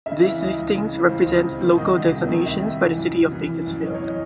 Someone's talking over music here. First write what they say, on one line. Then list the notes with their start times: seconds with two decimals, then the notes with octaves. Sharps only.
These listings represent local designations by the City of Bakersfield.
0.06 C#3 E5
0.24 E3 E5
0.41 C#2 D#5
0.58 C#2
0.75 C#3
0.92 E3
1.09 C#2 C5
1.27 C#2
1.43 C3
1.61 D#3
1.77 C2 D#5
1.95 C2
2.12 C3
2.29 D#3
2.46 C2 E5
2.63 C2
2.80 E3
2.98 F#2
3.15 F#2
3.32 E3
3.49 E3
3.66 F#2
3.83 F#2 D#5
3.94 C#5
4.00 E3
4.06 D#5